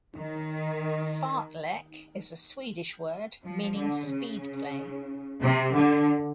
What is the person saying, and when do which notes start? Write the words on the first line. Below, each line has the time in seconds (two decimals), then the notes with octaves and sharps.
Fartlek is a Swedish word, meaning speed play.
0.16 D#3
3.44 F3
3.77 D3
4.09 C#3
5.41 C3
5.74 D3